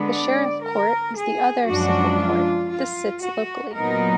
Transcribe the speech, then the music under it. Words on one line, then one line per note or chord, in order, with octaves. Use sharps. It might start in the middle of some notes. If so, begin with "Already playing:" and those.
The Sheriff Court is the other civil court; this sits locally.
Already playing: D3 G#3 B3 D4
D5
A#4
G#4
F#2 F3 G#3 D4 F#4
F4
F4
F#4
A#2 F#3 B3 D#4 A#4